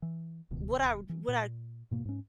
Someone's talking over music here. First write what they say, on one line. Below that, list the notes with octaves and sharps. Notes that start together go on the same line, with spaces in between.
what I what I
E3
D1 C#2 B2 D#3
E3
A#2
G#2 B2 A#3
G#2 C#4